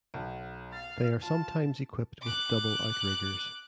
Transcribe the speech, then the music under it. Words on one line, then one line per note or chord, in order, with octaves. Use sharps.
They are sometimes equipped with double outriggers.
B1
F5 A6
F4 A5
D6 F#6